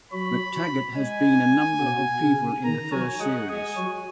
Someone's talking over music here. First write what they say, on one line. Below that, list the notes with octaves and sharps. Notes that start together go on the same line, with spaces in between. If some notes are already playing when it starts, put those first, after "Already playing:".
McTaggart has been a number of people in the first series.
F#3 F#4 B5
G#3 G#5
B2 B3
C#3 C#4
D#3 D#4 A#5
F#3 F#4 G#5
G#3 G#4 F#5
G#3 G#4 G#5
F#3 F#4